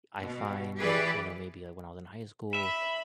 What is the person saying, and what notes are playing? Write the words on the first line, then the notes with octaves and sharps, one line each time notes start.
I find you know, maybe, like, when I was in high school,
B2
E3 G4 G#4 B4 D5
E5 B5